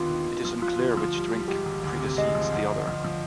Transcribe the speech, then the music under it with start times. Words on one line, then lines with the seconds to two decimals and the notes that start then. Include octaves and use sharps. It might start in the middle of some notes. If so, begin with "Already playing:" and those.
It is unclear which drink preceded the other.
Already playing: D#2 D3 B3 F4
0.10 D#3
0.28 D#2
0.45 F3
0.62 F3 F4
0.79 D2
0.97 F3
1.14 G3
1.32 G3
1.48 G#2 G4
1.66 G#1
1.84 D2
2.00 C3
2.17 G#3 D#5
2.35 F3
2.52 G1
2.70 G1
2.87 F3
3.04 F3